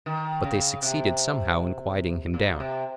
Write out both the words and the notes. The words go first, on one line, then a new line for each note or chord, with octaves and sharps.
But they succeeded somehow in quieting him down.
D#3
C#3
C3
A#2
C3